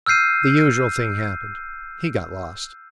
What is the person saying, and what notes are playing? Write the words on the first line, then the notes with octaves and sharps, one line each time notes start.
The usual thing happened; he got lost.
E6 F6 G6 C7 D#7